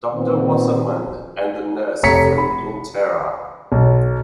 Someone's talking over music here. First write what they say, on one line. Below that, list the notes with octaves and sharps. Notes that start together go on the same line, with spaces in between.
Doctor Wasserman and the nurse flee in terror.
A#2 D#3 B3 C4
F1 A3 C#5 A#5 B6 C#7
B5
B1